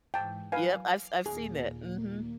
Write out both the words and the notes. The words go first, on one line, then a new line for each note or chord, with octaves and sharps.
Yep, I've I've seen that, mhm.
G#2 E3 G5 A5
F#3 B4 F5 G#5
D6 F6 C7
D#2 A#2 A#3 G#4